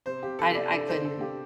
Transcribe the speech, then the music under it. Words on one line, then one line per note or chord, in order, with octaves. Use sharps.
I I couldn't.
C3 C5
C3 G4
A4
C3 D5
D4 A4
C5
D4
A4
C3
G4